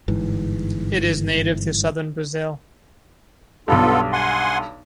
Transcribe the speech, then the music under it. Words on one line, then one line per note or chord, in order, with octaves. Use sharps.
It is native to southern Brazil.
G1 G#2 E3
B1 G2 B3 F4 A4
F#5 G#5 C6